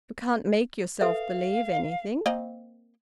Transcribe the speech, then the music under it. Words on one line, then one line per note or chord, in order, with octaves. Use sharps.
You can't make yourself believe anything.
A4 B4 E5 F5
A#3 C4 D#5